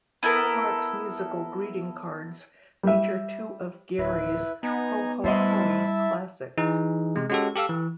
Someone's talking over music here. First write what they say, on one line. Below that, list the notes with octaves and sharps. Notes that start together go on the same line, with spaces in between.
Hallmark's musical greeting cards feature two of Gary's "Ho Ho Hoey" classics.
B3 E4 A4 A#4
G3 E5
D1 E4 B4
B3 D#4 G#5 A#5
A2 G3 E4 C5 D#5 E5 A5
E3 D#4 G#4
C3 G#3
G#3 C#4 F#4 G4 A4
G4 A4 F5 E6
E3